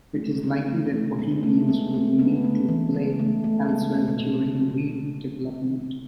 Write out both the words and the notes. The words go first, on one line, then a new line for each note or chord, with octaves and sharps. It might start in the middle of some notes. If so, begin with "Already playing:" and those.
It is likely that Bohemians would need to play elsewhere during redevelopment.
G#3
A3
G#3 B3
A3
A3
G#3 B3
A3
G#3 B3
A3
G#3 B3
A3
E3
G#3
A3
A3
G#3 B3
A3
B2
C#3
C#3
D3
B2
B2